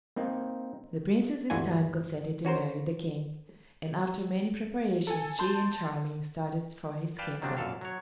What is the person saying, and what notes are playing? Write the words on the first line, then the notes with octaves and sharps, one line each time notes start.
The Princess this time consented to marry the King, and after many preparations she and Charming started for his kingdom.
A#3 C4 D#4
G1 D2 E3 F4 F#4 G#5
C#4 F#4 A#4 C5
A4 G#5
A5 C6 G6
B4 D5 F5 G5 A5
D#3 F#3 G3 A#3 C4 D4
F#2 A#2 A4 F5
F#3 C#5